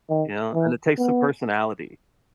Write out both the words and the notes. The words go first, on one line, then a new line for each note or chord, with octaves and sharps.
you know? And it takes some personality.
D#3
E3
B3